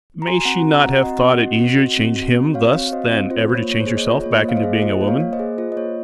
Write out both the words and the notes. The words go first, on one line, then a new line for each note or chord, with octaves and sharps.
May she not have thought it easier to change him thus than ever to change herself back into being a woman?
A#5
F#4 G#5 C6
C4 F#5 A#5
F#4
C4 F#5 A#5
F#4 D#5 F#5
C4
F#4
C4
F#4
C4
F#4
C4
F#4 C#5 F5
C4
F5
F#4 C5 D#5
C4
F4 C5
A#3
C#5
A#3 C#5
C5
G#4
D#5
F4 C#5
A#3 C#5
C5 D#5
A#3 F5
C5 D#5
G#4
F4 C5 D#5
A#3
C#5 F5
A#3
C5 D#5
G#4
F4 C5
D#5
A#3 C#5